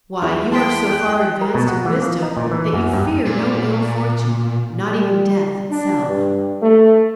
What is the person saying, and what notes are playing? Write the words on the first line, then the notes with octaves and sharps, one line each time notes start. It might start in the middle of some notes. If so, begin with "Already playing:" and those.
Why, you are so far advanced in wisdom that you fear no ill-fortune, not even death itself.
E2 E4
G5 A5 C6 B6
G#4 F#6 G6
A#4
B2
F#5
E3
F3
D#4
A#2
E3
F#2
G2
A#2
G3
D4
G2
A3